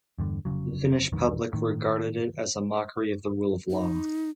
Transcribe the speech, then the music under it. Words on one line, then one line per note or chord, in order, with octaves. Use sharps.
The Finnish public regarded it as a mockery of the rule of law.
E2 G2 D3
F1 D2 C#3 F#3
E1 A#1 G2 D#3
A2 D#3
D#4